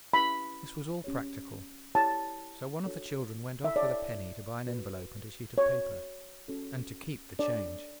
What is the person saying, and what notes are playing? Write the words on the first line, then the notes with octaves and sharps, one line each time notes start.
This was all practical, so one of the children went off with a penny to buy an envelope and a sheet of paper, and to keep the change.
C#4 E4 G4 B4 B5
C#4 G4 C#5
E4 G4 C#5 A5
D4 F#4 A4 C#5
E5
E4 A4 C#5 D5
F#4 B4
F#4 C#5
C#4 F#4 A4
D4 A4 C#5 D5